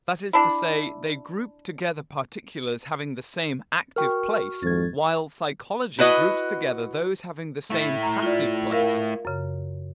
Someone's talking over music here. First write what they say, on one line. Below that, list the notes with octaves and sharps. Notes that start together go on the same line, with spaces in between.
That is to say, they group together particulars having the same "active" place, while psychology groups together those having the same "passive" place.
D4 E4
F#4 A#4 G5 C#6 F6
G#1 F2 G#6 A6
E4 F#4 B4 D#5
A3 E4
A#5
F4 D5
A#4 F5
F#2 C#3